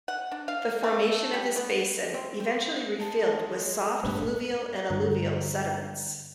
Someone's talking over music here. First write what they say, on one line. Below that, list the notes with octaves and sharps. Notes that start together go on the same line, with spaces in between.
The formation of this basin eventually refilled with soft fluvial and alluvial sediments.
F#5
D4
F5
A3
G3
B3
C4
C4
G#3 A5
G#1 G2 A#2 A3 B3
G2 D3 A#5